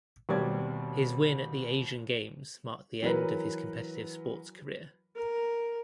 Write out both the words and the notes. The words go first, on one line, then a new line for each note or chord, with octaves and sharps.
His win at the Asian Games marked the end of his competitive sports career.
D#2 B2 G3 C4 D5 G#6
E3 F#3 A#4 B4
A#4